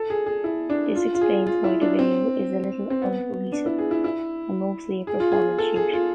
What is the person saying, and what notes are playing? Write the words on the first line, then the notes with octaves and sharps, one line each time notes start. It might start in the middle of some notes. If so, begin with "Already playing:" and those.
This explains why the video is a little uncohesive and mostly a performance shoot.
Already playing: A4
G#4
G#4
E4
D4
F4
F4
G#4
F4
E4
D4
C4
C4
B3
D4
E4
G#4
E4
E4
G#4
F4
G#4
A4
G#4
F4